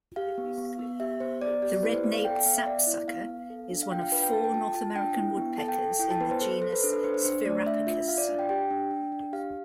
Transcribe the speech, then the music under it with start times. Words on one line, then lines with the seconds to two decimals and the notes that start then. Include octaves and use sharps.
The red-naped sapsucker is one of four North American woodpeckers in the genus "Sphyrapicus".
0.16 G4 F5
0.38 B3
0.58 B3
0.79 B3
1.00 G4 E5
1.20 B3 C5
1.42 B3 D5
1.62 G4 D5
1.83 E4 B4
1.94 C5
2.04 B3 D5
2.14 F5
2.25 A4 G5
2.36 G5
2.46 B3 F5
2.56 E5
2.66 B3 D5
2.87 E4
3.08 B3 F5
3.29 B3
3.50 A4
3.71 D4
3.83 F5
3.92 F4 G5
4.02 F5
4.12 D4 B4
4.23 G5
4.33 A4 A5
4.44 G5
4.54 F4 A5
4.74 F4 A5
4.95 D4 G5
5.17 E4
5.37 B3
5.58 A4 A5
5.68 G5
5.79 A4
5.99 E4 G5
6.11 A5
6.20 B3 B4
6.31 C5
6.41 A4 C5
6.52 C5
6.62 A4 C5
6.72 B4
6.83 D4 A4
6.93 B4
7.04 D4 C5
7.14 C5
7.25 D4 C5
7.46 A3 D5
7.66 D4 E5
7.87 F4 E5
8.08 F4 F5
8.18 D5
8.29 D4
8.39 G5
8.49 G4 G5
8.70 D4
8.91 D4
9.12 D4
9.33 G4 F5